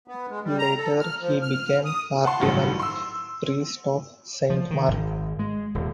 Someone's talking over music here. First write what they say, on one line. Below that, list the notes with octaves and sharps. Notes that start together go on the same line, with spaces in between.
Later he became Cardinal-Priest of Saint Mark.
B3
G#3
G3
A#5
A4
F6
F3
F6
D#6
F#5 A5 C6
A1 G2 D#3 F#3
C6 E6
F3
D#3
G#1
G#3
D#1